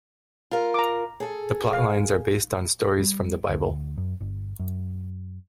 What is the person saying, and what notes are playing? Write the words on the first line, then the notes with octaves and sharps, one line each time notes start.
The plotlines are based on stories from the Bible.
F4 A#4
A#5 D6
G#4 A4
F5
G3
D2
F#2
G1
F#2